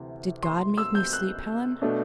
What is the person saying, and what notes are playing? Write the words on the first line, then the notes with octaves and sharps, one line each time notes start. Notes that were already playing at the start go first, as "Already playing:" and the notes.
"Did God make me sleep, Helen?"
Already playing: D2 C3 E3
C6
E6
G6
F#6
B2 A3 D4